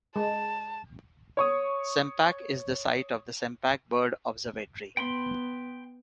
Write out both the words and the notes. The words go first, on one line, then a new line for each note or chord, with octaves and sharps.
Sempach is the site of the Sempach Bird Observatory.
G#3 A5
C#5 C#6 D#6
B3 G5 B5 C6